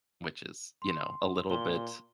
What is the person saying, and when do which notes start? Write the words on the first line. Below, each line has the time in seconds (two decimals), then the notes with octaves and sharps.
which is, you know, a little bit,
0.82 C6
1.50 A#2 C6 G7